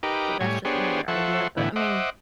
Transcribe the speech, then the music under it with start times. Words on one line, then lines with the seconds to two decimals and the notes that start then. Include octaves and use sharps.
So that's just another idea, but I mean
0.03 D#4 G4 A#4 B4 D6
0.41 A2 G3 C#5 G#5
0.65 B3 D4 G4 G#4 C5 C#5
1.08 F3 A4 C5 E5 F#5 C#6
1.57 A2 D3 E3 B3 E4
1.76 C5 D#5 E5 F#5 D6